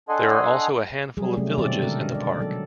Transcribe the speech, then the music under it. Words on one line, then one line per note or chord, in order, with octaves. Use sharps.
There are also a handful of villages in the park.
D4 A4 D#5 F#5 G#5 C6
F#3 G3 G#4
C3 F#3 A3 C#4
B2 D#3 C4 A4 D5
D3 G#3 A4 A#4
D4 D5
F#3 A4